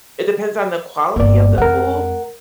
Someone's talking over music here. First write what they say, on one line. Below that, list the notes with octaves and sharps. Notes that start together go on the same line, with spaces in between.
It depends on the quality of the food.
G1 G2 A#3 D5
F2 G#3 A#4 F#5